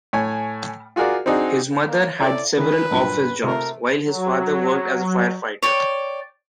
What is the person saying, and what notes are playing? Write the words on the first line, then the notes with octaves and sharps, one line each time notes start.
His mother had several office jobs, while his father worked as a firefighter.
A2 C#5 G#5
F4 F#4 G#4 A#4 D5
C4 D4 D#4 F#4 G#4
A#3
E4 A4 C#5 D5
D#3 E3 B4
G2 A#2 F#3
C3 A3 F4 A#4
F#3
C#5 D5 G5